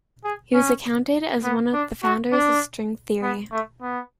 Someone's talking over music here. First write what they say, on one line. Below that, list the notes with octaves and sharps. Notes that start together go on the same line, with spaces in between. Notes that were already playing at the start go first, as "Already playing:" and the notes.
He was accounted as one of the founders of string theory.
G#4
C#4
B3
D4
F#4
D4
B3
A3
B3